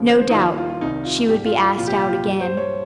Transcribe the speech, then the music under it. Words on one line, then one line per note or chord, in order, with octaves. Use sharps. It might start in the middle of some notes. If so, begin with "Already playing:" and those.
No doubt she would be asked out again.
Already playing: D#2 C#3 F3
C5
D#4
D#2 D#3 G3 F4
F4
F4
C2 C3 D#3 G3 D#4
F4
G#2 G3 G4
F4
F4
C2 A#2 F3 F4
G4
F4
F4
G2 G3
C5
C#5